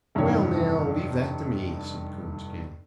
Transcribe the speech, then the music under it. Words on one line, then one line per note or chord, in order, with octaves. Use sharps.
"Well, now leave that to me," said Coonskin.
F1 G2 D#3 E3 C#5